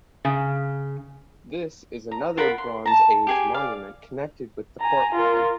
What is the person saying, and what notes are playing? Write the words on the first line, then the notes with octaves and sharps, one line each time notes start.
This is another Bronze Age monument connected with the Portway.
C#3
A#5
F4 A#4 F#5 B5
C6
A5 A#5
G4 G#4 G#5
D5 F5
G#5 A#5
F4 A#4